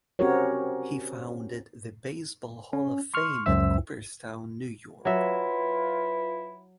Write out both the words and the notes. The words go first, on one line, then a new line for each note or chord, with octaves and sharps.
He founded the Baseball Hall of Fame in Cooperstown, New York.
C4 C#4 F#4 G4 A#4 C#5
C#4
C6 C#6 F6
C#2 F#2 C5 E5 E6
F#3 E4 F4 B4 E5